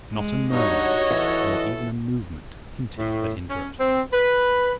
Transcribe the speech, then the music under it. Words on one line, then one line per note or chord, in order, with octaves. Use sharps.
Not a murmur nor even a movement hinted at interruption.
G#3
G2 D#4 F#4 C#5 D#5
E3 A4
A2
C#4
C4
B4